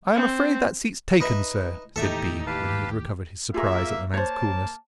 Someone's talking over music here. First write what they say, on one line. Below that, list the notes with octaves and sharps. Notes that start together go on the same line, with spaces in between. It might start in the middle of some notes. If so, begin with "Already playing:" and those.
"I am afraid that seat's taken, sir," said B. when he had recovered his surprise at the man's coolness.
C4
D#4 B4 E5
D#2 A2 E3 D#4 G4 A4 E5
G4 B4 F5 A5
A#3 F4 G#4 A#4 E5
A#3 C5 C#5 A5